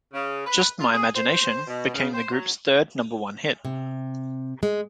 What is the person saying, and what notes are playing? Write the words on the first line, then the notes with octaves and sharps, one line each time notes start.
"Just My Imagination" became the group's third number-one hit.
C#3
B4
F4
G#4
C5
B2
C#3
C5
F#3
C3
G#3